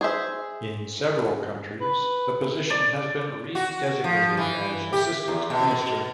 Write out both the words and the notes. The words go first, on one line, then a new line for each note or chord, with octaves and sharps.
In several countries the position has been re-designated as assistant minister.
G#4 C5 E5
B4
D5
F#4
F3
E3
G4
E2
B2